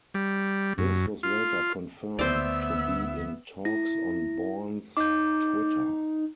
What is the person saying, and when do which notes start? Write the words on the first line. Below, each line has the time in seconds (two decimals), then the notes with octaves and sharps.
This was later confirmed to be in talks on Bourne's Twitter.
0.14 G3
0.78 F#2
1.23 F4
2.19 D2 B3 C5 D5 E5 E6
3.65 E4 A#6
4.97 D#4 D6 G6